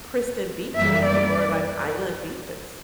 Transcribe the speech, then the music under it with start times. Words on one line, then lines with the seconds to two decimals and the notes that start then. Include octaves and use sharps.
pristine beaches and more, like, island beaches."
0.75 F#2 E3 G3 A#3 E5
1.05 D5